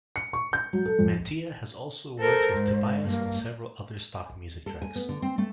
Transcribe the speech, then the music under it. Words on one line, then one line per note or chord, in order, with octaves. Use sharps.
Mantia has also worked with Tobias on several other stock music tracks.
C#7
C#6
G6
F#3
A4
F2
A4 A#4 C5
G#2
G2 A#3
A4
G#5
B3
D3
C4
A3